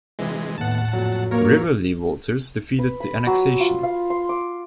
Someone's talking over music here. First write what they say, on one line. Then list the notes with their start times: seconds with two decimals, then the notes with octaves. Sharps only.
Riverlea voters defeated the annexation.
0.19 C3 E3 G#3
0.58 D#2 A2 A3 B3 F#5 A5
0.93 F2 A#2 F#3
1.31 A#3 A#4 C#5
2.79 B4
3.00 B5
3.27 F#3
3.60 F4
3.83 F5
4.10 C6
4.29 D6